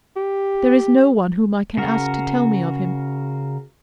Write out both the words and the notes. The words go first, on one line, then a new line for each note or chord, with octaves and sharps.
There is no one whom I can ask to tell me of him.
G4
C#3 F#4 A#4